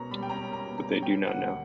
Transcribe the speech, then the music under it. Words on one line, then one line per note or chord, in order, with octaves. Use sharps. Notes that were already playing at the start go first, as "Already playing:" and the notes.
But they do not know.
Already playing: B2 A#3 C#4 A#5
G3 B5
G5
C#4 A#5
A#3
A#5
B2
A#5
G3
C#4 G5
A#3
F#5
D2